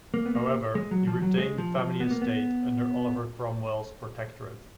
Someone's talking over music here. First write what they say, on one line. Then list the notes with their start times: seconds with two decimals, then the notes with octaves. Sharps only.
However he retained the family estate under Oliver Cromwell's protectorate.
0.14 A#3
0.26 B3
0.35 A#3
0.75 G#3
0.91 F#3
1.07 F3
1.22 F#3
1.38 G#3
1.58 F3
1.79 F3
2.00 B3
2.11 A#3
2.22 B3